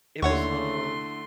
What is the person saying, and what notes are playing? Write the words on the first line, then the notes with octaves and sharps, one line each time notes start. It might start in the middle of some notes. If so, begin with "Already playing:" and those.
It was, um
D#2 D3 A3 E4 C#5 F#5 C6 C#6